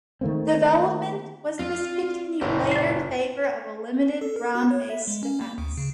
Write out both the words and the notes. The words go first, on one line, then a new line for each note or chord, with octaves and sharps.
Development was discontinued later in favor of a limited ground-based defense.
D#3 A3 A#3 C4
C4 D4 F4
F#1 A#2 E4 G4
D5 C7
A4
A#4
F#4
C#5
E5
G#3
C#4
A#3
D2
C#3